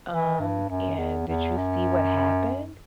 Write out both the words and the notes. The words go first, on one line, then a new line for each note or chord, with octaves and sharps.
Um, and did you see what happened?
E3
G2
F#2
E2
E2
F#2